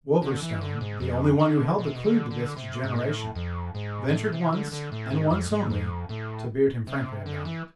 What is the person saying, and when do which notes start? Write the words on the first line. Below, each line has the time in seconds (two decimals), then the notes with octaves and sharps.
Wolverstone, the only one who held the clue to this degeneration, ventured once--and once only--to beard him frankly about it.
0.22 D3
0.42 E3
0.61 D3
0.81 G#2
1.00 F2
1.40 D3
1.78 B2
1.87 C3
1.95 B2
2.04 D3
2.30 D3
2.57 C3
2.84 G#2
2.96 A2
3.35 F2
3.74 G#2
4.08 G#2
4.13 A2
4.32 C3
4.53 D3
4.72 D3
4.92 A2
5.11 G#2
5.30 F2
5.50 G#2
5.70 F2
6.09 A2
6.87 C3
7.26 D3
7.45 E3